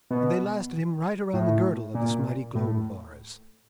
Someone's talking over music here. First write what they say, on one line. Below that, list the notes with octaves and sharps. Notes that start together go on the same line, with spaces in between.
And they lasted him right round the girdle of this mighty globe of ours.
B2
A2
A#2
A2